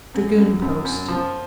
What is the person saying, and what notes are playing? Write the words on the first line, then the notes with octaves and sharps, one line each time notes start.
Dragoon post.
F#2
F#2
F#2
F#2
F3